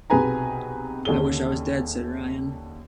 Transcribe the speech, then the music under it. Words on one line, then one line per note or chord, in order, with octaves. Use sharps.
"I wish I was dead," said Ryan.
B1 C3 G#4 B4 G#5 A#5
D#2 D3 C#4 G#4 G7